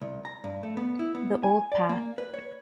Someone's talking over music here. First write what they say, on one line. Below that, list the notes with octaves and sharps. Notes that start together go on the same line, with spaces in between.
The old path.
C2
A#5
G2
A3
B3
E4
B3
G#5
D5
A#3
B4
C#5